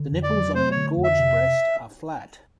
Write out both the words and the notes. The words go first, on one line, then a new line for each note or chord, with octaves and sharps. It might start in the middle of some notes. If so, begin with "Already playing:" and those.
The nipples on an engorged breast are flat.
Already playing: D3
F2
D5
F#3
A3 C5
C#5
D3
F2
E5
C3